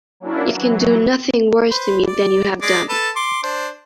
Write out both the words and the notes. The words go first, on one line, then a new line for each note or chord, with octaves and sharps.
You can do nothing worse to me than you have done.
F#3 A#3 C#4 D4 E4
E3 F#3
B4 C5
D5
G#3 D5 D6
A4 B4 A5
C6 D6
D4 C5